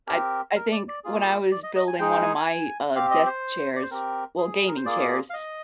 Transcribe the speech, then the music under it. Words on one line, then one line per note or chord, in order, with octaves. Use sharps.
I I think when I was building one of my, uh, desk chairs well, gaming chairs,
C4 G4 A#4
A#4
D5
D5
A#3 F4 G#4
D5
D#5
D#5
G#5
G#3 D#4 G#4 G5
G5
G#5
G#5
C4 G4 F5
D#5
C5
D5
C5
C4 G4 A#4
G#4
A#4
C5
A#3 F4 G#4 D5
F5
D#5